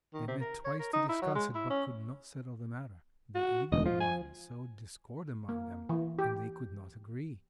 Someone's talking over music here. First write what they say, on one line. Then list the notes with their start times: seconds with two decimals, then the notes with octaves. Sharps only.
They met twice to discuss it, but could not settle the matter; the Evil One sowed discord among them, and they could not agree.
0.14 D#3
0.28 C3
0.41 A#4
0.65 C#5
0.79 A#4
0.93 D#4
1.09 E4
1.22 F#3
1.35 G#3
1.55 E4
1.70 C#4
3.35 F#4
3.72 E1 D2 D#5
3.86 F3 F4
4.00 G#5
5.49 A#3
5.89 E3
6.19 G4